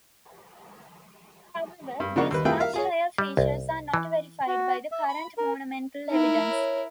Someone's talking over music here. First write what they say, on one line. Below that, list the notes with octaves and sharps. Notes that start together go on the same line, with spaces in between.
However, these much higher figures are not verified by the current monumental evidence.
G2
C#3 F3 A#3 D4 F#5 C#6
D#2 B4
A3 E4 F4 G#4 B4 G5
A#4 E5 F5
F4 G#4 C#5
G3
C2
E3
F#4
E5
B5
A#4
D#4 E4 A#4
C#5